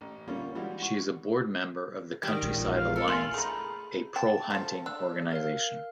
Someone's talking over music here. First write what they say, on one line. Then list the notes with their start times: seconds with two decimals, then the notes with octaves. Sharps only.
She is a board member of the Countryside Alliance, a pro-hunting organisation.
0.01 A1
0.28 D3 G3 A#3 C#4 F4
0.55 E3 G3 G#3 F#4
0.79 F#5 C#6
2.23 D#3 G3
2.42 A#1 G#3
2.56 F2
2.76 F5
2.96 A4 A#4
3.08 A3 F4 G#5 C6 F#7
3.34 A3 D#4 G#4 B5
4.16 G5 A5 A6
4.50 F3 A4
4.86 D4 E6
5.31 A#4 F5